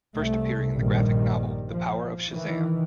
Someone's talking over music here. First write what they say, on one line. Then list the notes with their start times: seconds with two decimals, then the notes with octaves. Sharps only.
First appearing in the graphic novel The Power of Shazam!
0.15 C2 A3
0.73 A#1 G2 D#3 G3
1.69 F3
2.32 D#3 E3